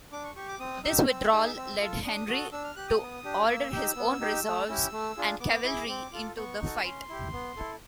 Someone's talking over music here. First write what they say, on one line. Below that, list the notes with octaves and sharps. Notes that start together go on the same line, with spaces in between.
This withdrawal led Henry to order his own reserves and cavalry into the fight.
D4 D6
C#6
G4 C#6
D6
C4 D#6
D#4 G4 E6
C4 E6
D#4 G#4
C4
F4 A4
D4 D#6
F#4 A4
D4 E6
F6
G4 F#6
D#6
B3
D4 G4
A#3 E6
D#4 G4
B3
D#4 G4
A3
C#4 E4 G4
A3
D4 F4 G#4
B3 D6
E4 G#4
C4
F4 A4
B3 C#6
D#4 F#4 A4
B5
C#4 C6
E4 G4
B3
E4 A4